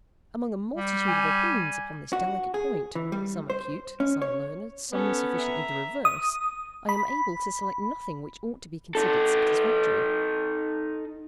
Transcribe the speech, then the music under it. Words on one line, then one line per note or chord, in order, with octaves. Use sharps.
Among a multitude of opinions upon this delicate point--some acute, some learned, some sufficiently the reverse--I am able to select nothing which ought to be considered satisfactory.
G3
G#5
F#4
G#4
E3
G3
C5
C#4
C#5
B3 C#4 A4
E5 A#5
D#6
B5
D#4 A4